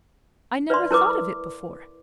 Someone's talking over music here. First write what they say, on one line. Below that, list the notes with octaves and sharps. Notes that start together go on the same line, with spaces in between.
I never thought of it before.
B4 D5 E5 C6
E4 A#4 B4 D6